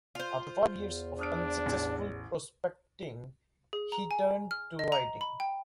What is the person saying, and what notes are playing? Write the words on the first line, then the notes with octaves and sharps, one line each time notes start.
After five years of unsuccessful prospecting, he turned to writing.
F4 C5
E2
D4 D#6 F6 D7
A1
G#4
A#5
G#5
F6
D#5
A#5
B5
G5